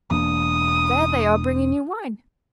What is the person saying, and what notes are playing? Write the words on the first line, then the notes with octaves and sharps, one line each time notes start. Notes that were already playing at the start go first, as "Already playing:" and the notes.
There they are bringing new wine.
E1 A#3 D4 D#6